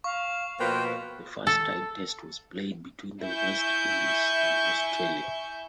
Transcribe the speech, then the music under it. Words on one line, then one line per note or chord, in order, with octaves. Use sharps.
The first tied Test was played between the West Indies and Australia.
F5 C#6
B2 F3 A#3 B4 C5 G5
A4
E4 E5 G#5 C#6 G6